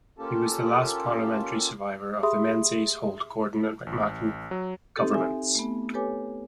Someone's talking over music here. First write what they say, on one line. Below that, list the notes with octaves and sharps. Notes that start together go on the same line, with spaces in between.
He was the last parliamentary survivor of the Menzies, Holt, Gorton and McMahon governments.
A#3 C#4 F4 G4 A4 A5
G4 G#4 E5 B5 C6 D#6
A1
F#3
C4 D#4 G4 A4
E5 G#5
A3 B3
G4 A4 B4 C#5 G#5 D6